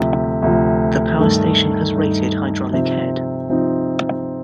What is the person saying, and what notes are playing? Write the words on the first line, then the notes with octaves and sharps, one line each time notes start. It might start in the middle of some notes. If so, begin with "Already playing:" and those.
The power station has rated hydraulic head.
Already playing: D2 C3 F3
D2 C3 F3
G2 D#3 A3 D#4
G2 D#3 A3 D#4
C3 F3 C4 D#4
C3 F3 C4 D#4